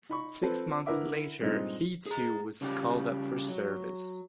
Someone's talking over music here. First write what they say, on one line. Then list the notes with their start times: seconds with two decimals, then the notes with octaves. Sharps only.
Six months later he too was called up for service.
0.09 D#4 B5 C#6
0.42 F3 C4 A4 B4
0.86 D3 E4 A#4 B4 E5 D6
1.41 G2 A#2 G#3 C4 D#4
2.06 G#4 A#5
2.61 C#3 G3 F4 G4
3.49 F#3